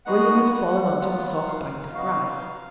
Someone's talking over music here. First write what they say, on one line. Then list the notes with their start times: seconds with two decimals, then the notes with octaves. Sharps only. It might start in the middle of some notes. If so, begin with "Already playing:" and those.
William had fallen on to a soft bank of grass.
0.06 G#3 B3 D#4 F#4 F#5
0.54 F#5
1.00 F#3 B3 F4 F#5
1.48 F5
1.94 B3 D#4 F#4 F5